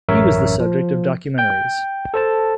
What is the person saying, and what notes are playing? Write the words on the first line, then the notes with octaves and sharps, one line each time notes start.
He was the subject of documentaries.
A1 F#2 A#4 C#5 E5
F3
G5 G6
A4 C5 A5